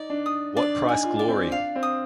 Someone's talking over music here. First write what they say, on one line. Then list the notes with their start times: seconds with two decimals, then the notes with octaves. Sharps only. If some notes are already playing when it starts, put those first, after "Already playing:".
What Price Glory?
Already playing: D#4 D5
0.10 D4
0.26 D#6
0.57 D4 D5
0.81 D#4
0.89 G#5
1.04 F4
1.19 D5
1.28 C4
1.52 D4 F5
1.75 C4
1.83 D#6